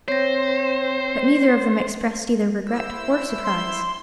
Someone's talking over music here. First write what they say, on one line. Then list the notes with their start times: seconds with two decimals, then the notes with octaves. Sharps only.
But neither of them expressed either regret or surprise.
0.08 C4 C5 C#5 A#6
2.67 E4 C5 E6
3.44 C6